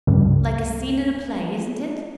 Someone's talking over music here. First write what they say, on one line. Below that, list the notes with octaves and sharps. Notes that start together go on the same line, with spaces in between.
"Like a scene in a play, isn't it?"
C#2 G2